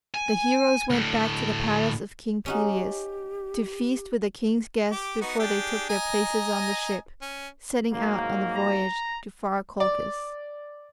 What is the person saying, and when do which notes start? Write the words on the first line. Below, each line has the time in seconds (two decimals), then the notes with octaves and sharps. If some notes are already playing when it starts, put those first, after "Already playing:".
The heroes went back to the palace of King Pelias to feast with the king's guests before they took their places on the ship, setting out on the voyage to far Colchis.
0.14 G#5
0.90 D2 A2
2.46 C#4 D#4 F#4 G4
4.92 G4 D6
5.21 B3 D#4 F#4
5.39 D4 G4 G#4
5.89 D#5 G#5 A#5
7.21 C#4
7.92 G#2 F#3 A#3
8.56 A#5
9.80 D5